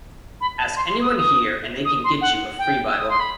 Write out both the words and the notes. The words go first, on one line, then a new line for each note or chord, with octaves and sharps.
Ask anyone here and they can get you a free bible.
B5
A5
C6
C6
D#6
E6
D#6
D#6
C6
F#5
G5
E6
D#6
C6
B5